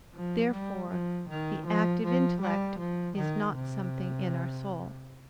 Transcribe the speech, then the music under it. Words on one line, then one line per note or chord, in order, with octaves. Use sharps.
Therefore the active intellect is not something in our soul.
F3
G3
F3
D#3
F3
F3
G3
F3
D#3
C3